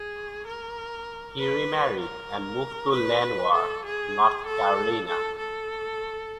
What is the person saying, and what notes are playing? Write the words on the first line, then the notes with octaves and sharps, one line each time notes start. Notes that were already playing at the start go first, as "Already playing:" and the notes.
He remarried and moved to Lenoir, North Carolina.
Already playing: G#4
A#4
B4
A#4
B4
A4
G#4
A4
A4
A4